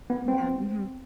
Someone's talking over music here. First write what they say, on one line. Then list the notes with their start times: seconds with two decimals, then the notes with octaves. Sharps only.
Yeah, mhm.
0.10 B3
0.28 C4